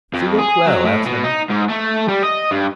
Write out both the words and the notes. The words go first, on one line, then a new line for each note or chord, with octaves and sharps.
She looked well at him.
F2
G#4
F#3
A2
B2
D#4
G#2
A3
G3
D#5
G2